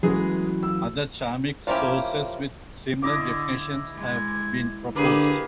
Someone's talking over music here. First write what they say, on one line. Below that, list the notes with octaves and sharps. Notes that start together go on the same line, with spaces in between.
Other Chamic sources, with similar definitions, have been proposed.
E3 F#3 G#3 A3 C#4 G#4
E6
F3 A#3 C#4 E4 G4
D3 E4 D#5 D6
G#3 G#6
D3 A#3 G4 G#4 B4